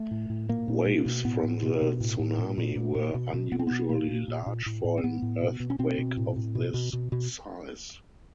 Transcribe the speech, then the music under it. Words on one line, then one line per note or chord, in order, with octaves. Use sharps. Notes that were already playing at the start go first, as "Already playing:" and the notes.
Waves from the tsunami were unusually large for an earthquake of this size.
Already playing: A3
A2
A2
A#2 A#3
A#2
B2
B2
A2 B3
A2
B2
B2
A2
A2
A#2
A#2
A#2
A#2
B2
B2
B2 B3
C4
B2 B3
A#2 A#3
A#2
A#2
A#2
A2
A2
C4
A2 B3
A2
B2
B2
C#4
B2 C4
B2
A2
A2
B2
B2
B2
B2